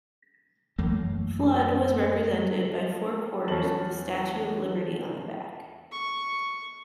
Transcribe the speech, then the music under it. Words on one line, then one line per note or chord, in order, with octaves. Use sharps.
Flood was represented by four quarters with the Statue of Liberty on the back.
F#2 E3 A3 A#3
E2 C#4 A5 F#7
C#6